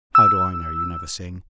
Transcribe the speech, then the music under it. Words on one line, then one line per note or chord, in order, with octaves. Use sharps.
How do I know you never sing?
E6